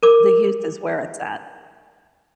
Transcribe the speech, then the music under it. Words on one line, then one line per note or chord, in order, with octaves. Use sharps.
The youth is where it's at.
A#4 D6